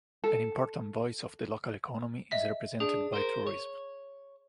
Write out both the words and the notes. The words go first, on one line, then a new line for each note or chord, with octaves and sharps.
An important voice of the local economy is represented by tourism.
A4
D#5 E5 B6
D4 G#4
A#4 C5
C#5